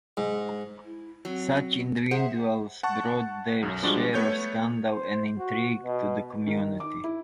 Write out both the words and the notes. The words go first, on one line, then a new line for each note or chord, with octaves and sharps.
Such individuals brought their share of scandal and intrigue to the community.
G#2
E4
F#3 C4
G#4 C5 E5 F#5
F#5 A5 C#6
B1 F#2
F3 G3 G#3 D4 F#4 G4
A3 B3 C#5 G6 G#6
C5
F#4
B2
D#3
D6
E4